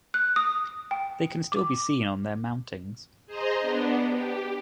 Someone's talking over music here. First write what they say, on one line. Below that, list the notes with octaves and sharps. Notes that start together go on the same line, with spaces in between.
They can still be seen on their mountings.
F#6
D#6
G5
D6
G#4 C5 D#5 A#5 C6
B3 D4
G4